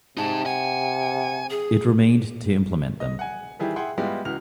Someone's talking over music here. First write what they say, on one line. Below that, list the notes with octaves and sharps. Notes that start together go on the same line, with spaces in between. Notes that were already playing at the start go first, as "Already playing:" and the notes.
It remained to implement them.
C3 D#4 G#4 A5
F#5 G#5
G#4
D#5
F#5 G#5
D#3 E3 G3 E4 G4 G#4
E4 G#4 F#5 G5 C6
G3 G#3 B3 E4 F4 G4
C#2 E3 F#4 F6 F7